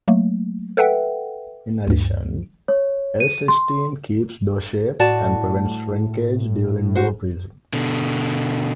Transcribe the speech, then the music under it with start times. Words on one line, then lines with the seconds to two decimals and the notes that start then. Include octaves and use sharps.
In addition, L-cysteine keeps dough shape and prevents shrinkage during dough freezing.
0.08 F#3 A3 A#3
0.77 A4 B4 E5 F#5 G5
1.87 D2 G2
2.68 C#5
3.20 D#7
3.48 C6
5.00 A2 F#4 D5 A5
6.95 F#4 C5
7.73 B2 D3